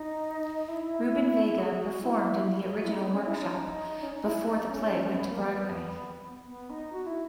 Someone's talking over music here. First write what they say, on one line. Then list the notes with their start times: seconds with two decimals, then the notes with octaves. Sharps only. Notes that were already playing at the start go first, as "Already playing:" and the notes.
Rubin-Vega performed in the original workshop before the play went to Broadway.
Already playing: D#4
0.68 E4
1.58 G#4
1.80 F#4
2.02 E4
2.62 A#4
2.69 G#4
2.77 F#4
2.84 E4
2.91 D#4
3.02 B3
3.13 C#4
3.25 E4
3.33 D#4
3.41 C#4
3.50 D#4
4.03 C#4
4.14 D#4
4.25 E4
4.47 D#4
4.70 C#4
5.14 B3
5.29 A#3
5.44 B3
6.47 B3
6.70 D#4
6.92 F#4
7.06 E4